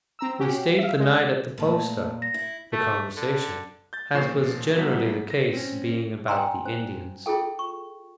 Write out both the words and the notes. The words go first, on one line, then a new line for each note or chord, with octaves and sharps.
We stayed the night at the posta, the conversation, as was generally the case, being about the Indians.
C4 A#5 E6
C#4 F#4 G4
E5 F5
G#3
A#2 A3 B4
A#6
E4
A3
D3
G6 A6
D#2 A#2 F3 C#6 C7 E7
C2 F#3 B3 B6
A#6
C4 C#4
G5 G#5 A#5 C6
C5
E4 F4 G#4 A4 G5
C#6